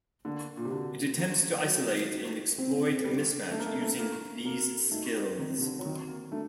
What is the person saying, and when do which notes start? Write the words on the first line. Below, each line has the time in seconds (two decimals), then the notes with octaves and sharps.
It attempts to isolate and exploit a mismatch using these skills.
0.25 D3 A#3
0.57 A#2
0.65 C3
0.71 D3 F#4
1.19 D#3 C5
1.64 F#3 F#4
2.12 D#4
2.58 C4
3.04 G3 A4
3.51 A3 D4
3.59 A#3
3.66 A3
3.74 A#3
3.81 A3
3.98 A#3 A4
4.44 A#3 F#4
4.91 A3 D#4
5.14 G3
5.38 D#3 C4
5.58 C3
5.61 D3
5.79 F#3
5.85 D#3 F#4
6.08 A#3
6.32 A3 D4